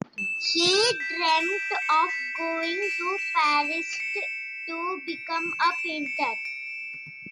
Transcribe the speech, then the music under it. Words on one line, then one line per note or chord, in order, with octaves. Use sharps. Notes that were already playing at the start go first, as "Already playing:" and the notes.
He dreamt of going to Paris to become a painter.
E7
D7
G6
B6
E7
D7
C#7
B6
D7
D7
E7
D7
E7
D7
E7
D7
D7
C#7
D7
E7
D7
E7
D7
C#7
D7
D7